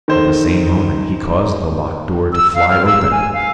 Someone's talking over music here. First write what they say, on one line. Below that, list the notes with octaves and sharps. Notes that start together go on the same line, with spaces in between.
At the same moment he caused the locked door to fly open.
D#3 A4 C5
E6
F5
F6
E6
G#5
F5